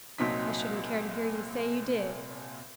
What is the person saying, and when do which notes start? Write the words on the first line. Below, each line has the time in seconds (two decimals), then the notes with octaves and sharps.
I shouldn't care to hear you say you did.
0.18 C2 A#2 F#3 C4 D#4 B6